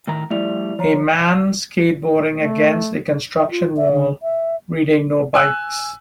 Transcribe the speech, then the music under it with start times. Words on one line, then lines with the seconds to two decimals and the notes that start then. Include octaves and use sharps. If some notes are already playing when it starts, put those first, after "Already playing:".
A man skateboarding against a construction wall reading No Bikes.
0.07 A2 D#3 A#5
0.31 F3 G3 A3 E4 D5 F7
0.79 F3 C#5 A#5
2.38 A3
3.38 E5
3.51 F4
3.77 E5
3.91 D3
4.23 E5
5.34 G#5 E6 F#6